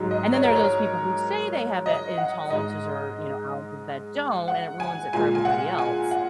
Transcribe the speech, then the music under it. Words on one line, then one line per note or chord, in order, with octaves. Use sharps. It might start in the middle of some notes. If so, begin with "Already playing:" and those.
and then there are those people who say they have i intolerances or, you know, allergies that don't, and it ruins it for everybody else.
Already playing: G#2 F#3
D#5
C#5
A#4
C#5
D#5
F#5
G#2 G#3 D#5
F#5
G#5
A#2 G#3 G#5
G#5
F#5
G#5
F#5